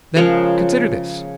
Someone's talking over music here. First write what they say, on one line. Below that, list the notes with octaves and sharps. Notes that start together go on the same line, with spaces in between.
Then consider this.
C#3 F3 G#3 A#4 C#5